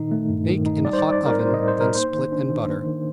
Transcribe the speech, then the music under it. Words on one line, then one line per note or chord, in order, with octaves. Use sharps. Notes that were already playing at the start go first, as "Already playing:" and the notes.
Bake in a hot oven, then split and butter.
Already playing: A#2 D#3 D#4
A3
G2
D#3
D#4
G3 D5
C5
D5
D#4
D5
C4 A#4
A2 C5
G3 D#5
C5
D#4 A#4
A#3 C5
D#3
D4
D#3
A#3
D#3